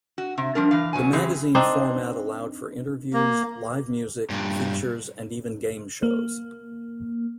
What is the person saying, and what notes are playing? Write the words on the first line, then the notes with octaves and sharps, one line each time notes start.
The magazine format allowed for interviews, live music, features and even game shows.
F#4
C3
F3 G3 D4 A#4
E3 F5
B2 F#3 B4 G#5
C#3 E3 C4 G4 G#4
C4 D4 D#4
A#3
G2 A#2
A#3